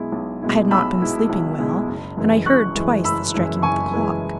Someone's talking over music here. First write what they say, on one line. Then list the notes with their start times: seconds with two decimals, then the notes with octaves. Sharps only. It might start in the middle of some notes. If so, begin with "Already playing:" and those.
I had not been sleeping well, and I heard, twice, the striking of the clock.
Already playing: B1 B2 G#3 E4
0.12 B1
0.42 B2 G#3 E4
0.71 B1 B5 E6
1.00 B2 G#3 E4
1.30 B1
1.59 B2 G#3 E4
1.88 F#1
2.17 F#2 E3 G#3 E4
2.46 F#1 C#6 F#6
2.76 F#2 E3 G#3 E4
3.04 F#1 B5 E6
3.34 F#2 E3 G#3 E4
3.62 F#1 G#5 C#6
3.92 F#2 E3 G#3 E4